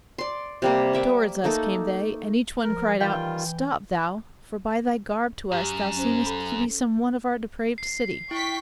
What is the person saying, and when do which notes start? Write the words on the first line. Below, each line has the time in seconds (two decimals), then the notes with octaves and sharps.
Towards us came they, and each one cried out: "Stop, thou; for by thy garb to us thou seemest To be some one of our depraved city."
0.18 D5 C6
0.62 C3 G3 A#3
0.93 A#3 E5 D6
1.44 A3 A#3 D#4 A4
2.64 F3 A#4
3.01 D#3 E3 G3 F4 G5
5.52 F#2 G4
5.97 C#4 C5
6.25 A4 B5
7.78 C7
8.31 E4 G5 C#6 B6